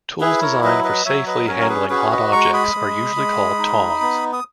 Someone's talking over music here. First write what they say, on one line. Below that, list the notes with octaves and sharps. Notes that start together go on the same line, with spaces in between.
Tools designed for safely handling hot objects are usually called tongs.
E4 G#4 B4
A#4 C#5
F#3 B4 D#5
B4 D#5
F#3 C#5 E5
B4 D#5
C#4 A#4 C#5
A#4
G#4 B4
F#4 G#4 B4
B4 D#5
G#3 A#5 C#6
B5 D#6
G#3
G#3
D#4
B3
D#6